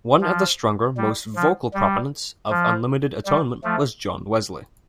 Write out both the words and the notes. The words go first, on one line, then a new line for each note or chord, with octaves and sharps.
One of the stronger, more vocal proponents of Unlimited atonement was John Wesley.
F3
G3
F3
G3
F3
G3
F3 A3